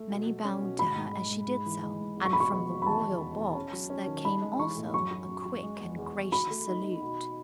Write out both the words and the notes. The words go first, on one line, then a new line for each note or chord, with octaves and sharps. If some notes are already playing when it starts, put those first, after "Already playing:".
Many bowed to her as she did so, and from the royal box there came also a quick and gracious salute.
Already playing: A3
B2
F#3
C#4
B2
G#2 B5
G#2
G#3
G#3
G#2
E3
G#3
G#2
E2
C#6
B2 B5
C#6
B3 B5
B2
B5
E2 A5
E2
E2
E2
C#4
F#3
C#4
D#3
D#4 B5
G#3
E3 C#6
A2
F#2 C#6
F#3
F#2
F#3
G#3
E2
E2
E2
F#4 B5
A3
D#4
D#4
B2